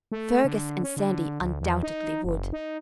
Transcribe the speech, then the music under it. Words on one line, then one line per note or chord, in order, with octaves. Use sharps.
Fergus and Sandy undoubtedly would.
A3
D3
C#4
D3
D2
E2
D#4
F#1
D#4